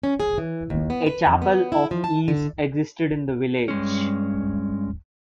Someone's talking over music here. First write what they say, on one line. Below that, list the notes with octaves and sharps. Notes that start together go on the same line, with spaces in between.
A chapel of ease existed in the village.
C#4
G#4
E3
D#2
B3
B4
F2
B3
E4
F3
A5
D3
G2 G#3 C#4